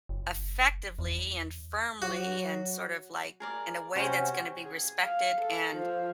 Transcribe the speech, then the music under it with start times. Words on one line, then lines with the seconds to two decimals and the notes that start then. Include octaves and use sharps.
effectively and firmly, and sort of, like, in a way that's gonna be respected, and
0.09 F#1
0.99 E2
2.02 F#3 F#4
3.40 G#4 A#4 D5
3.96 C3 C#4 F#4 C5
4.64 G#4
5.02 F5
5.41 A4
5.76 F3